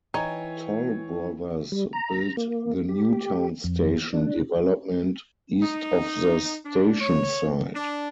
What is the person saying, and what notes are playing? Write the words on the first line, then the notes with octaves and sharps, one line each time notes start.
Toll Brothers built the "Newtown Station" development east of the station site.
E3 D#4 C#5 G5 G#5
G3
A#5
A#3
G4
F2
D4
D#4
D4
C#5
D4